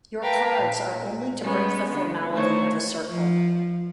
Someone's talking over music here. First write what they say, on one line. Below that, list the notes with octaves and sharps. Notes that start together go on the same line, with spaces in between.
Your cards are only to break the formality of a circle.
A#4 B4 F5 G5 A5
A#2
G3 G#3 B3 C#4
D3 B3
D#3 A3 C5 C#5
F3